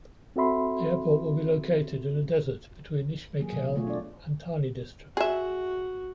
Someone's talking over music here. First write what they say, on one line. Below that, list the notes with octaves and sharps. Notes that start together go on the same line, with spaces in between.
The airport will be located in a desert between Ismailkhel and Tani District.
C4 F#4 A4 E5 B5 C6
E3 F#3 A#3 G#4
B2 F#3
B2 A3 F4 C#5
D4 D5
F#4 G#4 E5